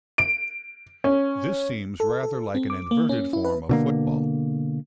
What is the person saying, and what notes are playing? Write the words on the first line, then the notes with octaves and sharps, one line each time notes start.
This seems rather like an "inverted" form of football.
D7
C#4
A4
A4
C4
D6
A#3
C#4
E4
B4
B2 D3 A#3